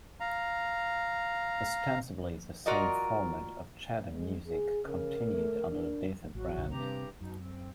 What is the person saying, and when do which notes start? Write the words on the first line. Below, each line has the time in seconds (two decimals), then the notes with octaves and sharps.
Ostensibly the same format of chat and music continued under a different brand.
0.20 F5 A#5
2.66 F4 F#4 A#4 D5 D#5
4.10 G#3
4.48 G#4
4.86 C#3 A#4
5.31 A3
5.70 D4
6.35 A1 F#3 F#4
6.56 B1 F#2 D3
6.71 G2 C3 G4 A#5
7.21 F#2 B2 D#4
7.39 C4